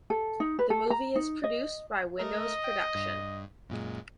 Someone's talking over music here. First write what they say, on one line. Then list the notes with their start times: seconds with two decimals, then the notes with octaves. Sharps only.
The movie is produced by Windows Production.
0.10 A4
0.40 D#4
0.59 B4
0.70 A4
0.90 A#5
1.16 D#4
1.44 D#5
2.19 A3 A#4 D#5
2.64 G5
2.95 G2
3.69 F#2 A#2 G#3